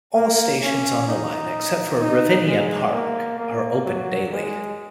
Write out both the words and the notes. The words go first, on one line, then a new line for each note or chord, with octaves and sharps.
All stations on the line except for Ravinia Park are open daily.
A#3
C#4
D#4
D#4
G#3
A#3
A#3
F#3
G#3